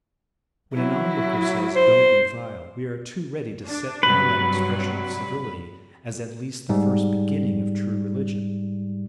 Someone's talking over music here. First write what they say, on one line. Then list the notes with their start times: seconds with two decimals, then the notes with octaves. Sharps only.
When an onlooker says 'Don't revile,' we are too ready to set down that expression of civility as at least the first beginning of true religion.
0.74 F#3 E4
1.76 C5
3.67 D4
4.03 G2 C3 F#3 B4
6.69 G#2 G3